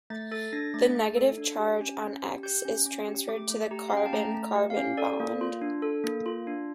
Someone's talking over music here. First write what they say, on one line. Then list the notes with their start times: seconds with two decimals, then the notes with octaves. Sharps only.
The negative charge on X is transferred to the carbon - carbon bond.
0.10 A3 A6
0.31 A4 A6
0.53 D4 A#6
0.74 A3 A6
0.95 A3
1.17 A4
1.38 D4
1.59 G4
1.80 C#4
2.01 C#4
2.23 G4
2.43 G4 G6
2.65 C#4
2.86 C#4
3.08 G4
3.28 A3 D6
3.50 A3
3.71 G4 A#5
3.88 F5
3.93 C#4 G5
4.06 A5
4.13 A3 A#5
4.34 A3
4.55 G4
4.70 F5
4.77 C#4
4.97 A4 D5
5.20 A#3
5.41 F4
5.62 D4
5.82 A4
6.04 A#3
6.26 F4
6.47 D4